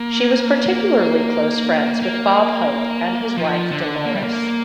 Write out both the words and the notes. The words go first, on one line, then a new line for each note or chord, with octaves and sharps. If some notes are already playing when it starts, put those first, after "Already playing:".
She was particularly close friends with Bob Hope and his wife Dolores.
Already playing: A#3
A#3
A#3
F3
D3
A#3
G3
A#3